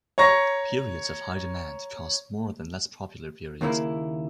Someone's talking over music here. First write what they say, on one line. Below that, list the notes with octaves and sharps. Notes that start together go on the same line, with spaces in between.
Periods of high demand cost more than less popular periods.
C#5 A#5 C#6 A#6
D#2 C#3 A#3 E4